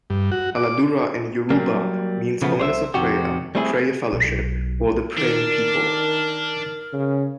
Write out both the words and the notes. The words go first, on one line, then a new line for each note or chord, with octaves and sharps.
"Aladura" in Yoruba means "owners of prayer", "Prayer Fellowship" or "The Praying People".
G2
F#4
D6
F#3 G3 A#3
C#3 F3 A3 B3
C2 C5 C#5 E5
F2 C3 D#3 F#4 G4
G3 A3 C4 E4 G4 G#4
B1
D#3 D4 A#4
C#3